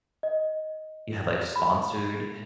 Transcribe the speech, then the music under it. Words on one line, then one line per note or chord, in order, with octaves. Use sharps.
you have, like, sponsored,
D#5
B5